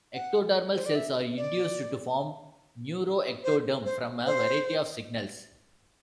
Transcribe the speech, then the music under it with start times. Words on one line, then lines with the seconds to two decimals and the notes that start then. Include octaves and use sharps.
Ectodermal cells are induced to form neuroectoderm from a variety of signals.
0.14 F#5
0.75 C5
0.86 D5
0.95 E5
1.37 D5
3.44 C5
3.85 C5
4.26 C5